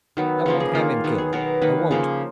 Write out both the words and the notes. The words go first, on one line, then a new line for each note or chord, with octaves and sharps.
I won't have him killed--I won't!
D#3 F#3 B3
C#3 F3 A#3 A#4
G#4
D#3 A#3 F4
D#3 F#3 B3
G#4
B2 F#3 B3 A#4
D#3 A#3 B4
C#3 F3 A#3 G#4